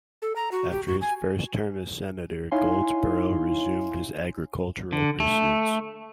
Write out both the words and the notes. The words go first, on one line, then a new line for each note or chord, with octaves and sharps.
After his first term as Senator, Goldsborough resumed his agricultural pursuits.
A4
A#5
F#4
G4
F#4
G#5
D#4 E4 C#5 F5 G#5 C6
D3
A3